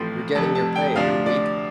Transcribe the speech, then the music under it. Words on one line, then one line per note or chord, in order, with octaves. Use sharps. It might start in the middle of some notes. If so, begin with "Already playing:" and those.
You're getting your pay every week.
Already playing: A1 A2 F3 A3 C4 C6
F1 F2 C3 A5
A5
G5
D2 C3 F3 D4 F5
D5